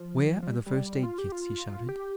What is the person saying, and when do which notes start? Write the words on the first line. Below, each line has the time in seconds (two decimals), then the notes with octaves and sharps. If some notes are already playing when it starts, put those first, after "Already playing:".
"Where are the first-aid kits?" he shouted.
Already playing: F3
0.42 F3
0.47 G3
0.66 G3
1.03 F4
1.18 G4
1.32 F4
1.89 G4